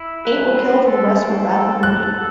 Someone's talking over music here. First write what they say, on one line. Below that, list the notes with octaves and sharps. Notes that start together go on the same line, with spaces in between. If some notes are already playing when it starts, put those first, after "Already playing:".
Eight were killed and the rest were badly wounded.
Already playing: E4
B4
C4
A4
C4
A4
A4 F#6
A4